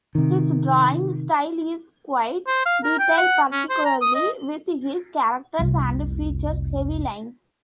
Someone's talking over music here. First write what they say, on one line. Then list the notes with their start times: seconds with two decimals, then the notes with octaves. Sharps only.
His drawing style is quite detailed, particularly with his characters, and features heavy lines.
0.15 C3 D#3
2.47 C5
2.66 F5
2.84 A#4
2.99 G5
3.18 F#5
3.52 C#4
3.70 C5
3.85 A#5
4.02 D#6
4.15 D#5
5.59 F1 C2